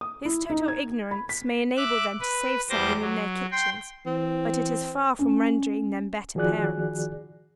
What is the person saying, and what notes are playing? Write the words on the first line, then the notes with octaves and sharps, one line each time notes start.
This total ignorance may enable them to save something in their kitchens, but it is far from rendering them better parents.
D#6
E4
D#4
G#6
B5
B6
E5 D6 F#6
B4
E2 G3 C5 D6 A#6
F#3
G5 C6
E3 C4
C#4
D#3 F3 F#4 G#4 D5 F#6